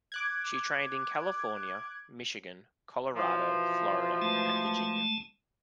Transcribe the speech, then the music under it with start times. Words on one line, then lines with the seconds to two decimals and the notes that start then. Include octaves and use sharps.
She trained in California, Michigan, Colorado, Florida and Virginia.
0.12 D6 F#6 G#6
3.16 B2 E3 F3
4.22 G#3 A3 A5